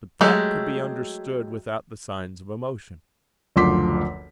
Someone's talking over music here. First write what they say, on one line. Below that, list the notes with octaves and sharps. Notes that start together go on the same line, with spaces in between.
But that could be understood without the signs of emotion.
F#3 G#3 A3 G4
F#1 D2 F3 C6 D6 B6